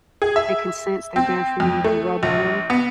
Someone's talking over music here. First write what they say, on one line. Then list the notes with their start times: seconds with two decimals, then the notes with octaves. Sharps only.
They can sense they're there for you; you can rub on 'em,
0.22 G#4
0.36 E5
1.16 C4
1.60 F2
1.84 A3
2.23 A#1
2.70 B3